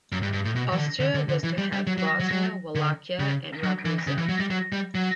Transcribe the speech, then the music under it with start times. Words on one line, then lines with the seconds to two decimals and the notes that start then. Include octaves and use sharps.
Austria was to have Bosnia, Wallachia and Ragusa.
0.12 F#2
0.23 G2
0.34 G2
0.45 A2
0.55 B2
0.72 E3
0.78 D3
1.00 D3
1.15 D3
1.29 D3
1.43 E3
1.58 G3
1.73 G3
1.87 F#3
1.98 F#3
2.20 F#3
2.31 F#3
2.75 D3
3.19 C#3
3.64 F#3
3.85 E3
4.07 C#3
4.18 E3
4.29 F#3
4.40 G3
4.51 F#3
4.72 G3
4.95 F#3